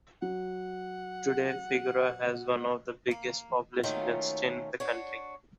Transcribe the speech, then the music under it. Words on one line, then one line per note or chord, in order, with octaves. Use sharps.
Today, Fgura has one of the highest population densities in the country.
F#3 F#5
A#3
D#3 F#3 A3 A#3 C#4 F4
D4 F#4 C#5